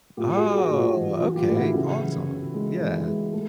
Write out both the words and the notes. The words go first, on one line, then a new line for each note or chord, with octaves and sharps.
Oh, okay. Awesome. Yeah.
A2 F4 G4
F#4 G#4
G3
F#4 G#4
A2
F4
E3
F4
E3
F4 G4
A2
E4 F#4
C#3
E3
C#3
G#3
E3
G#3
A3